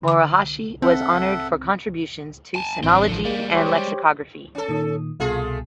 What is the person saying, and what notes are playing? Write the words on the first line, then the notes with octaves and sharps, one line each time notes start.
Morohashi was honored for contributions to sinology and lexicography.
D3 D6
C4 A4 E5 F#5
G#5 A5
A1 C4 D4
D3 F3
G3 G#3 A#3
G4 C5 C#5
C#4 A4
A#2 D#3 D#6
C2 B2 A3 F4 G#4